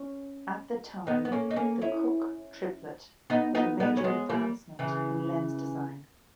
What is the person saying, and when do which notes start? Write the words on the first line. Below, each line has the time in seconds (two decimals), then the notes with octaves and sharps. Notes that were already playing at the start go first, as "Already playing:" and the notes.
At the time, the Cooke triplet was a major advancement in lens design.
Already playing: C#4
1.07 B3 D#4
1.25 B3
1.32 A#3 C#4
1.51 D#4
1.56 A#3 C#4
1.81 C#4 E4
3.30 B3 D#4
3.55 B3 D#4
3.80 B3 D#4
3.97 C#4
4.04 G#3 B3
4.30 G3 A#3
4.79 C#3 E3